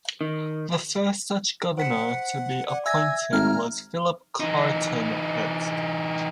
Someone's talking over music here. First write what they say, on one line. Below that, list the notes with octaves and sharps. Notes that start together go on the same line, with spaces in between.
The first such governor to be appointed was Philip Carteret.
D#3
C5 F#5 B6 C#7
D5 F#5
E5 G#5 E6 G#6 A#6
G#1 A#5 F6
E3 D#4